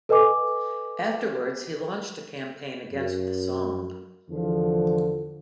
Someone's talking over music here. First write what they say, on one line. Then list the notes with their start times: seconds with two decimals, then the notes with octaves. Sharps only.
Afterwards he launched a campaign against the Song.
0.09 A4 B4 D#5 G#5 D6
2.93 F#2
4.30 E2 D3 F3